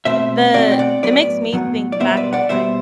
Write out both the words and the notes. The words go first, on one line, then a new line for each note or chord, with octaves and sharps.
the it makes me think back on, like,
B2 A3 C4 C5 E5
B2 A3 C4 D5 F#5
G5
D5 F#5
A2 F#3 B3 B4 D5
A2 F#3 B3
D5
B2 G3 B3 C5 E5
B4 D5
D5 F#5
B2 G3 B3 C5 E5